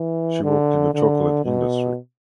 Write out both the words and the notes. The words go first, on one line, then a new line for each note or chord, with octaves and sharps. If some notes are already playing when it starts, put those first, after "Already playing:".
She worked in the chocolate industry.
Already playing: E3
D3
D3
B2